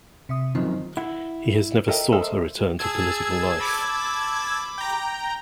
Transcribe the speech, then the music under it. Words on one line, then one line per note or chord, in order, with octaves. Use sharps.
He has never sought a return to political life.
C3 E5 D#6
F#2 D#3 F3 C4
E4 F#5
A4 A#4 D#5 E5 G5
A4 A#4 C5 D#5 E5
G#4 A5 E6 G#6
B5 D6
G5 A#5